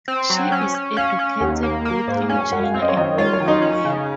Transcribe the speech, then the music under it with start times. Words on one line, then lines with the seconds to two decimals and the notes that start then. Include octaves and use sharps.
She is educated both in China and in Norway.
0.08 C4
0.30 F#3
0.52 C#4
0.74 C#4
0.97 C#4 F5
1.19 C#4
1.40 D#2 F#5
1.63 A#3
1.85 A#3
2.08 G#2
2.29 C#4 G#5
2.40 G#5
2.52 F#2 F#5
2.63 F5
2.74 C4 F5
2.82 D#5
2.89 C#5
2.96 D#3 D#5
3.18 F4 C#5
3.33 C#5
3.40 D#3
3.48 D#4
3.62 C#4
3.85 C#3